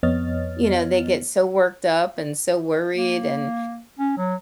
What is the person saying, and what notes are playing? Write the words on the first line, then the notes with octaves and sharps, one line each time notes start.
you know, they get so worked up and so worried and,
F2 B3 C#5 D#5 F6 A6
A#3
C#4
F#3